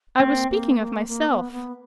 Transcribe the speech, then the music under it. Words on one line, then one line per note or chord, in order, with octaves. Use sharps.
"I was speaking of myself."
A#3 C4
A#3
A#3
A#3
B3
B3